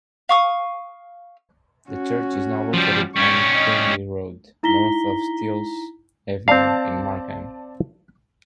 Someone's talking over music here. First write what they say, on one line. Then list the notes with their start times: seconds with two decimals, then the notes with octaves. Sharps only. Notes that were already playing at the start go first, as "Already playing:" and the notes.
The church is now located on Brimley Road, north of Steeles Avenue in Markham.
0.29 F5 C#6 D#6
1.90 C#4 F#4
2.74 F3 G3
3.16 G3 C#4 C#6
3.55 D#5 C#6
4.63 D#4 E4 A#5 A#6 B6 G7
6.48 C4 D5 F5 A5